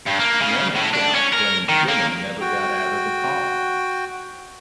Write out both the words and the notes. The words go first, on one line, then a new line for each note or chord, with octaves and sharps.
One account claims Dillon never got out of the car.
G2
A#3
C#3
A2
D4
C#4
A#4
D#3
A#3
F#4 G5